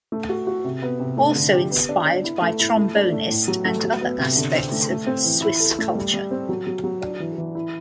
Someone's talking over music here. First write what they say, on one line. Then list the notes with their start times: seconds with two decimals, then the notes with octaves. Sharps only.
Also inspired by trombonist and other aspects of Swiss culture.
0.12 A3
0.29 F#4
0.47 F#4
0.64 C3
0.82 B3
1.00 C3
1.17 A3
1.36 D3
1.53 G4
1.71 B3
1.89 D4
2.06 D4
2.24 E4
2.42 A3
2.59 E4
2.77 A3
2.95 D4
3.12 A3
3.30 A2
3.48 F#3
3.65 A3
3.84 F#3
4.01 B3
4.18 C3
4.37 D3
4.54 C4
4.72 A3
4.90 A3
5.07 C4
5.25 E3
5.42 E4
5.60 A4
5.79 A3
5.95 G3
6.14 G3
6.31 C4
6.49 F#3
6.67 F#3
6.84 F#3
7.02 D4
7.20 E3
7.38 E3
7.55 E4